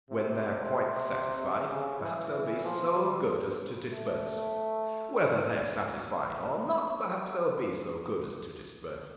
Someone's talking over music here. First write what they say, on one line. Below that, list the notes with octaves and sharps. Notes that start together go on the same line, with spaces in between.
When they’re quite satisfied, perhaps they’ll be so good as to disperse; whether they’re satisfied or not, perhaps they’ll be so good as to disperse.
C3
C3
C#3
E3
F3
G3
A3